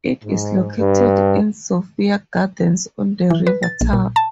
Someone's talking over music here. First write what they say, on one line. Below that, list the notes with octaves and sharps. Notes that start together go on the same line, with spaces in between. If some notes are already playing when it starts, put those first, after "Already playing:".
It is located in Sophia Gardens on the River Taff.
G#2
G2
E3
B4
A6
A#1
A#2
A5